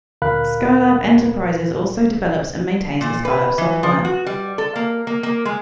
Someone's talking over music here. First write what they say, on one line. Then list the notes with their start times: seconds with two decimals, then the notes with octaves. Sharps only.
Scilab Enterprises also develops and maintains the Scilab software.
0.22 D2 A#2 A#4 F5 B5 F#6
3.01 A#2
3.25 B4
3.58 E3
3.83 F3
4.05 F#4
4.27 G3
4.58 A4
4.76 A#3
5.07 A#3
5.23 A#3
5.45 G#3